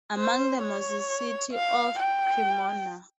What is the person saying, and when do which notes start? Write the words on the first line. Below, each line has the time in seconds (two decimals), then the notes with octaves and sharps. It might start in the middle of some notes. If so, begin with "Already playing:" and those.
Among them was the city of Cremona.
0.16 C5
0.62 C#5
1.53 F5
1.99 G5